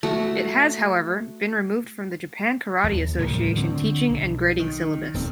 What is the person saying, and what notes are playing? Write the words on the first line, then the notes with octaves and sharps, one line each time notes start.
It has, however, been removed from the Japan Karate Association teaching and grading syllabus.
A3 F#4
D#2
C2 A2 D3 F3
D2 D3 C4
B1
D#3
D#1 D#2 C4